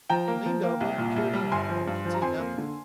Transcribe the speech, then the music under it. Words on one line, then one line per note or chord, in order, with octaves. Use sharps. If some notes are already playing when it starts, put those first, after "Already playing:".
He leaned over and peered in, but he could see nothing.
F3 G5 A#5
A#3
F3
A#3
C2
A#2
C2
G3
G1 G#5 C6
F3
G2
F3
A#5
F2 G#5 C6
A#3
D3